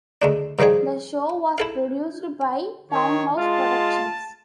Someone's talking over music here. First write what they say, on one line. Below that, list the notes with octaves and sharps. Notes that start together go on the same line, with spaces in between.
The show was produced by Town House Productions.
D2 G#3 D4
G2 D#3 F3 G3 G#4
E4 A4 F5
D#3 C#5
G#3 F4 A5